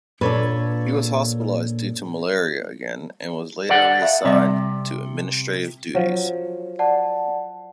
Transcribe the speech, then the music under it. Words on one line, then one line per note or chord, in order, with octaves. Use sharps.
He was hospitalised due to malaria again, and was later reassigned to administrative duties.
A#2 D4 A4 B4 C#5
A4 D5 F#5
E5 F5
C3 G3 C4 D5
F3 F#3
D5 F#5 A5